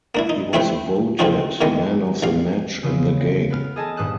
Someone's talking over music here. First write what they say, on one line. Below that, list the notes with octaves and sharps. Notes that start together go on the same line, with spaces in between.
He was voted Man of the Match in the game.
A#3 D4 E4
D#4
A3 C4 E4 B4 C5 G5
A2 C#3 F3 C4 D#4 F#4
A2 D#3 G#3 B3
A1 F5
C#3 E3 G#3 F4
B3 F6
G#4 A4 D#5 G#5 A5
D#1 G2 D#6 F#6 E7